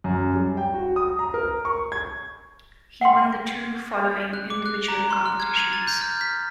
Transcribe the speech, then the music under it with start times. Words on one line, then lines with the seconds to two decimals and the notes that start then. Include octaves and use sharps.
He won the two following individual competitions.
0.04 F#2
0.35 G3
0.57 G5
0.74 F#4
0.96 D#6
1.19 A#5
1.34 A#4
1.65 C#6
1.92 G#6
3.01 F#5 G5 C6
4.33 F#6
4.50 D6
4.66 F#6
4.88 A#5
5.10 C6
5.26 F6
5.40 G#6
5.59 D#7
5.73 A6
5.87 G6
6.01 F6
6.21 B6